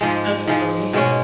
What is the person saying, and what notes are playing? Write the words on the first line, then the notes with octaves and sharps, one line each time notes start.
That's funny.
G#2 F3 G#3
G#2 F3 G#3
B2 G#3 C#4